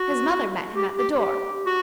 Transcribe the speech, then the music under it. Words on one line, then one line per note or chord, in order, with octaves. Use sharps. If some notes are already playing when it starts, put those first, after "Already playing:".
His mother met him at the door.
Already playing: F#4
G4
G4
G4
F#4